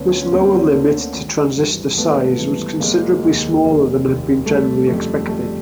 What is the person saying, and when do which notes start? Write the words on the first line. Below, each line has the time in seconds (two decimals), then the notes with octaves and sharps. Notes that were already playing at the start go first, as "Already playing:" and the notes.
This lower limit to transistor size was considerably smaller than had been generally expected.
Already playing: D2 D3 B3 C#4
0.21 C#4
0.32 D2 A#3 C4
0.74 D3
1.14 G#1
1.56 G2 E3
1.97 G#1 A3 B3
2.39 G2 E3
2.80 F1 G#3 A#3
3.22 D#2 D#3
3.64 F1
4.04 D#2 D#3
4.46 G1 G3 A3
4.87 F2 C#3 G3 A3
5.29 G1 G3 A3